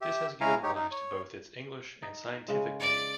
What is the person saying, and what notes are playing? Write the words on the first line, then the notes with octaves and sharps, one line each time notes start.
This has given rise to both its English and scientific name.
G4 E5
G#3 C#4 E4 F5 G#5 A#5
D#4 G4 C#5
D#4
C#5
D#4
C#3 G#3
D5